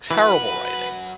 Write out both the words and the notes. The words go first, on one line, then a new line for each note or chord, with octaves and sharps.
Terrible writing.
F#2 E3 F#4 B4